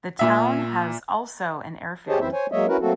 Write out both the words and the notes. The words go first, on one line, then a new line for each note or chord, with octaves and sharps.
The town has also an airfield.
A#2 E5
G4 G#4 C5 C#5 D#5 A5
F#2 E3 C4 E4 C5 E5
C5 C#5 G#5
F#3 G#3 A#3 C#5 D#5 E5
C#4 E4 F#4 A#4 B4
F#3 A3 A#3 C4 F#4 A4